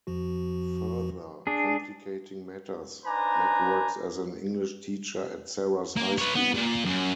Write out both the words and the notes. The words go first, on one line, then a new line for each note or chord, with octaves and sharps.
Further complicating matters, Matt works as an English teacher at Sarah's high school.
F2 F3 F#4
D4 G#4
D4 D#4 B4 C5 G#5 A#5
A#3
B4 C#5
B3
A#2
F#2